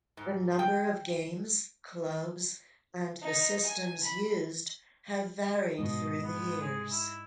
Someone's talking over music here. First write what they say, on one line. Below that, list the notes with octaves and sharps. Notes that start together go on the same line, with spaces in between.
The number of games, clubs and the systems used have varied through the years.
G#2
G5
D#4
G#5
B5
G#2 B2 D#5
G#3 B3
G#4
E4